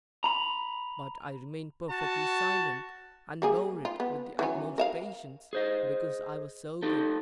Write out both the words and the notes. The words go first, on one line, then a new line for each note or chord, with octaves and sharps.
But I remained perfectly silent, and bore it with the utmost patience, because I was so good.
A#5 B5
F#4 A5
G3 A#3 G#4
F4
B3
E3 F#3 C#4
A#4 E5 F5
G#4 C5 D#5
D#4 G4 A4